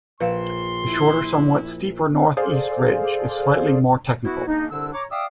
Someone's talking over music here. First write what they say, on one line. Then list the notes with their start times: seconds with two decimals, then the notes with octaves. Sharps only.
The shorter, somewhat steeper north east ridge is slightly more technical.
0.20 A#1 B4 F5 C6 E6
0.87 E4
2.37 G#4 A4 C5 D5 F5
4.23 B3 E4 F#4
4.47 G#3 A#3 D4 D#4
4.70 C2 D3 D4 E6
4.93 C#5 A#5 D6
5.11 D5 E5 F5 G5 D#6 E6